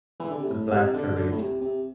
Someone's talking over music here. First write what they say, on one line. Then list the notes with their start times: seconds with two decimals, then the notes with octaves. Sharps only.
The Black Parade.
0.20 E3
0.30 D3
0.39 C3
0.49 A2
0.71 C3
0.94 D3
1.16 D3
1.32 A2
1.39 C3
1.61 C3